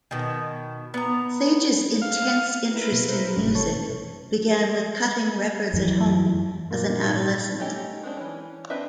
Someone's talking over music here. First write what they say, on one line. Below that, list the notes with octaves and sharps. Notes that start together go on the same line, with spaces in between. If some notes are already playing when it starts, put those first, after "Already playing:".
Sage's intense interest in music began with cutting records at home as an adolescent.
B2 D#3
B3 A#5
F5
E4 A#4 B4
B2
C5
F#1 B1 G#2 C3 C#4
A4 C#5
F#2 E3
A#2
G#2
A3 C#4 D#4 G4
G#3 C4 D4
E3 C#4
C4 D4 B4 D#5 E5